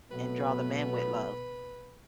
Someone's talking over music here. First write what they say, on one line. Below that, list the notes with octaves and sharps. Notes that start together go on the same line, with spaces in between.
And draw them in with love.
B2 F#3 A3 B3 B4